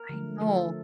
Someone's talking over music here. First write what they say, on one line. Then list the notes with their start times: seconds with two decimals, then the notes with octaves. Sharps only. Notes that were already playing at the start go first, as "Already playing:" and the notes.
I know.
Already playing: A#4
0.09 D3 F3 A3
0.41 D3 F3 A3 A4